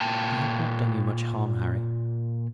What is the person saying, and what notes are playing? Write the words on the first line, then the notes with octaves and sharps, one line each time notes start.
I had not done you much harm, Harry.
A#2 A#3 G5 A5